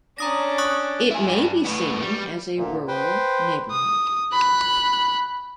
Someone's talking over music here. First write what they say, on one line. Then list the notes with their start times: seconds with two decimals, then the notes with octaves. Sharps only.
It may be seen as a rural neighbourhood.
0.18 C#4 D4 A#5 D#6 A#6
0.58 C#6 D#6 F#6
1.10 E4 G#4
1.27 G2
1.65 A2 B3
2.02 G3
2.57 D2 A#2
2.88 B4 C5 G5 C6
3.71 D#6
4.33 B5 F#6